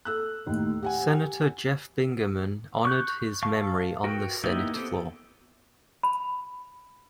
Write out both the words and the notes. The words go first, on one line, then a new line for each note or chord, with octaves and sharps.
Senator Jeff Bingaman honored his memory on the Senate floor.
A4 E6 F#6
D#2 A2 D#3
G4 F#5 G#5
C#6 F#6 G6
F5 A5 C#6
F#4 A#4 B4 G5
A#3 B3 D#4 E4 G4
B3 C4 G4 A4
B5